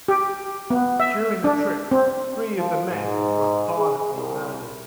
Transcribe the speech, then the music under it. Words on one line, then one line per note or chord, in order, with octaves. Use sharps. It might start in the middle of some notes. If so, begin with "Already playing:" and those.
During the trip, three of the men were violently murdered.
G4
B3
E5
D4
C4
F3
G#2
G#4
C2